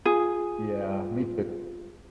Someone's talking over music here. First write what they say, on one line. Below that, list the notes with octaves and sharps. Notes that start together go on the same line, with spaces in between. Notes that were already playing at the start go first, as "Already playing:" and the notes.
Yeah, me too.
F4 G#4